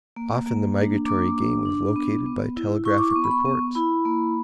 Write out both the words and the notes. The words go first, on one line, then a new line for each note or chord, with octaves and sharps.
Often the migratory game was located by telegraphic reports.
A#3
A#3
D4
A#3 D6
D4
D4
B3
B3
E4
E4 C#6
D6
C#6
B3
B5
C#6
B3
E4 B5
A#3